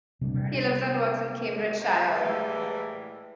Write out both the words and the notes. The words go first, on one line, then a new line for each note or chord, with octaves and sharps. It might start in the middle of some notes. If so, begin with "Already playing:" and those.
He lives and works in Cambridgeshire.
C3 G3 G#3 D4
A2 E3 G3 G#3 A#3